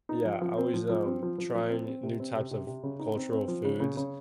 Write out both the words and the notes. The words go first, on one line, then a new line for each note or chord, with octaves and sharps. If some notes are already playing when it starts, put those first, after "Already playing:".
yeah, always, um, trying new types of cultural foods.
D#4
F3
F3
C4
F3
F3
C4
F3
F3
F3
C4
C4
C3
C4
C3
C3
C3
C#3
D#4
C4
C4
F3
C#3
C#3
C#3